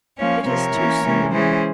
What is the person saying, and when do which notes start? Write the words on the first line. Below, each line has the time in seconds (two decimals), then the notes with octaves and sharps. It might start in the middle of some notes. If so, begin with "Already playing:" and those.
It is too soon.
0.18 F3 A#3 C#4 C#5 F5
0.46 C3 F3 C4 A#4 C#5
0.75 E3 A#3 C#4
1.03 C3 E3 G#3 C#4
1.31 E3 G#3 C#4 G#4 C5